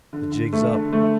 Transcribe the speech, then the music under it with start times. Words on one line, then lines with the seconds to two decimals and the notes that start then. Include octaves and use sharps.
The jig's up.
0.13 D3
0.32 D3
0.53 A3
0.73 D3
0.93 A3